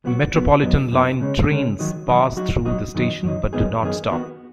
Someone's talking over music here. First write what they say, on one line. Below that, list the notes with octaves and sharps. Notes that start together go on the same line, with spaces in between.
Metropolitan line trains pass through the station, but do not stop.
F#3 B3 F#4
F#3 B3 F#4
F#2 F#3 B3 D#4
F#2 F#3 B3 D#4
C#3 G#3 C#4
C#3 G#3 C#4
D#3 F#3 D#4
D#3 F#3 D#4
F#3 D#4 F#4
F#3 D#4 F#4
F#2 D#3 F#3 D#4
F#2 D#3 F#3 D#4
F#2 D#3 B3 D#4 G#4
F#2 D#3 B3 D#4 G#4
D#3 B3 F#4